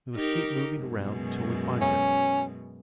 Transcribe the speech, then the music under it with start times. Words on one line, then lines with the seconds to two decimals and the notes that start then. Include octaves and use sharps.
We must keep moving around until we find it.
0.15 D#4 G4 A#4
0.78 F#2 B2 G#3
1.81 C#4